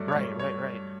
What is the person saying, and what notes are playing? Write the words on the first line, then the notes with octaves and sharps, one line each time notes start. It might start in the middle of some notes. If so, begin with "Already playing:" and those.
Right. Right, right.
Already playing: G2 F#3 A3 D5
C#5
G2
C#5